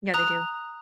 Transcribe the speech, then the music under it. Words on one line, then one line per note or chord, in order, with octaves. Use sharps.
Yeah they do.
A#5 D#6 F#6